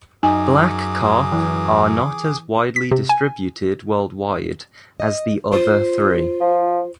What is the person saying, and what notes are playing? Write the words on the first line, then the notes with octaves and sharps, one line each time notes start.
Black carp are not as widely distributed worldwide as the other three.
F#2 D#4 G#4 G#5 D6 D#6
E3
B6
C3
G#5
D#5
F4 C5
F3